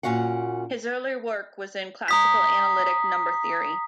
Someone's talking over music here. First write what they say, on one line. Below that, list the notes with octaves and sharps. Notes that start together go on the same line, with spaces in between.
His early work was in classical analytic number theory.
A#2 C#4 F#4 F5 F#5
A#5 D#6 B6